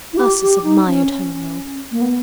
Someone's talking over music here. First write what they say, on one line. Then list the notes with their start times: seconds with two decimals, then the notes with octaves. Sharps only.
Ursus admired Homo.
0.13 E4
0.17 G4
0.41 G4
0.64 D#4
0.86 C#4
1.09 C#4
1.92 A#3
2.01 B3